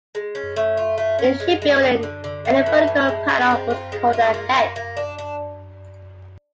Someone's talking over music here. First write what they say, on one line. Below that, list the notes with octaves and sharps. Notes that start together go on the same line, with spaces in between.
In shipbuilding, any vertical panel was called a "head".
G#3
C#4
A3
F4
A3
C#4
G#3
G#3
D3
D3
D3
A3
E3
A2
G#3
G#3
C4
F4
G#3
F4
A#3
A#3
A#3
D4
D4